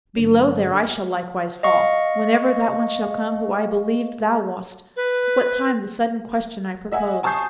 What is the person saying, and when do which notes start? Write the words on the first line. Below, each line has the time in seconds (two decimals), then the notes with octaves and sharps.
Below there I shall likewise fall, whenever That one shall come who I believed thou wast, What time the sudden question I proposed.
0.17 G2 D3 F#3
1.63 D#5 F5 C#6
4.96 B4
6.92 D#5 E5 F#5 G#5
7.23 G#5 A5 C#6 D#6 G6 C7